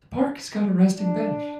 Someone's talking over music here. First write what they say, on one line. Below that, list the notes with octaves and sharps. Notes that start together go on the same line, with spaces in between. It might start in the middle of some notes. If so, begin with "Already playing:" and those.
The park has got a resting bench.
D4